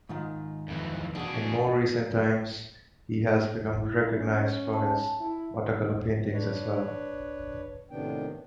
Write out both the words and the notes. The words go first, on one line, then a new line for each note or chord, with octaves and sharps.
In more recent times, he has become recognised for his watercolour paintings as well.
G#2 D#3 F4
F2 E3
E2 B2 D4 G#4
E4
C#4
A5
E4
D4 B4 C#5
A2 C3 D#3 B3 D4 G5